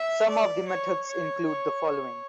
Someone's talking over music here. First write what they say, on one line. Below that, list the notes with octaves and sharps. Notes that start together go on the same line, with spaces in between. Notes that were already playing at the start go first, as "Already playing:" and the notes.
Some of the methods include the following.
Already playing: E5
D5
C#5
C#5
C#5